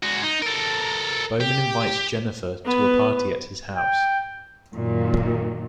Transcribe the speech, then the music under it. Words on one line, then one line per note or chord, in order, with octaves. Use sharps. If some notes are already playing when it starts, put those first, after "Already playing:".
Bowman invites Jennifer to a party at his house.
G#3 F#4
D#4
A4 A#4
G4
B3 B4
G5
F#2 A#2 D#3